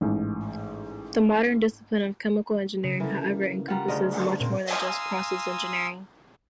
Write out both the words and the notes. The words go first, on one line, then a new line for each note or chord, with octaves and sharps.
The modern discipline of chemical engineering, however, encompasses much more than just process engineering.
A1 G#2
C#3
D3 E3 A#3
G3 F4 F#5 A#5
D2 C#3 F4 D#5 F6
A#2 C4
F5 G#5 A#5 C6 D#6 E6